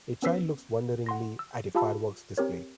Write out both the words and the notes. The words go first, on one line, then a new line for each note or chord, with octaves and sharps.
A child looks wonderingly at a fireworks display.
B3 C#4 B4 E6 B6 C7
F#5 C6 A#6
E6
F4 G4 F5 A5 B5 E6
C4 G4 A#4 C#5